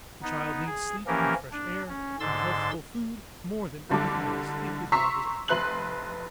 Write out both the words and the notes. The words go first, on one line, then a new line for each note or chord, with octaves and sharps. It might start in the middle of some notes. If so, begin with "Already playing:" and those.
The child needs sleep and fresh air and healthful food more than anything else, if his mind is active.
B3 D#4
G#4
E3 F3 A#3 C#4 G4 A#4
D4
C#4
G#2 D3 C6 E6 A6
F#1 C2 D3 G3 A4 D6
A#5 C6 C#6 E6 B6
F1 B4 C6 F#6 F#7